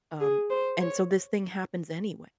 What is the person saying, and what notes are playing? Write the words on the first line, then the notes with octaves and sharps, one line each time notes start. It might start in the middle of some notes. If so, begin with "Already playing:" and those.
um, and so this thing happens anyway.
G#4
C5
C#5